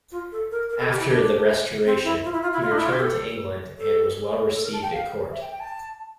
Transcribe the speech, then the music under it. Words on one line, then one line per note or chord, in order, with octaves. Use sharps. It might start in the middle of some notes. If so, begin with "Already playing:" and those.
After the Restoration he returned to England, and was well received at court.
F4
A4
A#4
A#4
A4
G4
E4
D4
C4
E4
F4
E4
F4
E4
F4
D4
E4
F4
G4
A4
A4
A4
A#4
A5
G5
F5
E5
G5
G5
A5